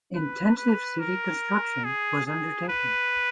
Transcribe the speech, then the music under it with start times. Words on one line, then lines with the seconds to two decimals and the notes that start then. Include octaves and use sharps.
Intensive city construction was undertaken.
0.15 B4
0.57 B4
0.99 A#4
1.84 G#4
2.26 G#4
2.69 B4